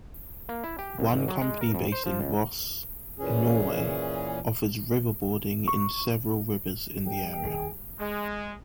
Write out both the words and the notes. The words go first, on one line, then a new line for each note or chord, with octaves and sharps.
One company based in Voss, Norway, offers riverboarding in several rivers in the area.
A#3
E4
G4
C2
G#1
F#3
G#3
A#4
F2
C5
F3
C#2
A#2 E3 C#4 G#4
C#6
G3 G5
F1 D#2 D#3 G#4
G#3